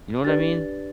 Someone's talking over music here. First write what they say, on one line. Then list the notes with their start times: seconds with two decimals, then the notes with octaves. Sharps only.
You know what I mean?
0.24 D4 G4 B4 D5 A6